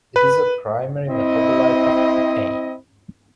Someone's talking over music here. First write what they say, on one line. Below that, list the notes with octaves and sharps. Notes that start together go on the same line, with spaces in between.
It is a primary metabolite of cocaine.
B4
C4 E4 D#5